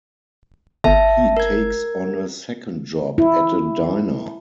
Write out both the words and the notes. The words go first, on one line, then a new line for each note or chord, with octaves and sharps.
He takes on a second job at a diner.
G1 E5 A5
A#4 G#6
E4